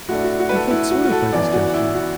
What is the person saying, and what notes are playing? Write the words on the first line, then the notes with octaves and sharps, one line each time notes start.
I felt soiled by this gesture.
A2 A3 D4 F#4
F#4
F#4
B4
A4
E4
F#4
F#4
A4
F#2 E3 B3 D5
F#4
E4
F#4